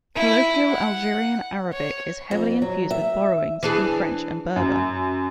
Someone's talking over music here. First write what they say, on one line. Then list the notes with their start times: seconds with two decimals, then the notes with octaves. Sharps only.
Colloquial Algerian Arabic is heavily infused with borrowings from French and Berber.
0.16 E4
0.69 F#5
1.73 C#5
2.31 F2
2.62 F#3
2.91 E5
3.63 E3 D4 G#4
4.56 F#2